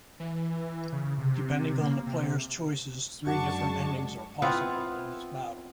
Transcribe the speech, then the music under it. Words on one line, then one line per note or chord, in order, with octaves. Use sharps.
Depending on the player's choices, three different endings are possible in this battle.
E3
C#3
C3
A#3
C3
F#2 G#3 D4 F#4 F#5 A5 C#6 D6
B3 C4 E4 F4